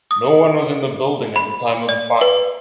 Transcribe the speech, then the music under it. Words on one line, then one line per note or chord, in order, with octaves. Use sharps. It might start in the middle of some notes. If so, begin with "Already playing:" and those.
No one was in the building at the time of the fire.
D#6
B5
D5
B4